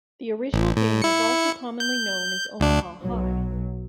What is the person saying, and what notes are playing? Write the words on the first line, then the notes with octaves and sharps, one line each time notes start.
The original game is also commonly known as "Omaha high".
A1
A2
E4 C#7
G6
D2 D4
B1 F#3